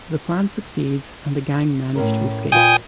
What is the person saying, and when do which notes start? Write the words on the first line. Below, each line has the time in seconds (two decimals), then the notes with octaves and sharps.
The plan succeeds, and the gang manage to escape.
1.96 A2 C#4 A#4
2.52 A#2 F4 B4 G5 G#5 D#6